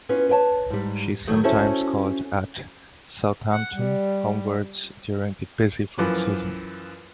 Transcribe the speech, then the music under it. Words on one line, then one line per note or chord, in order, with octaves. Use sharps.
She sometimes called at Southampton homewards during the busy fruit season.
B3 C#4 F4 B4
B4 C#5 G5 A5
G#2 G3
D#3 F#3 A3
C#4 E4 F#4 A4 C5 C#5
F#5
G3
F#2 E3 F3 B4 D6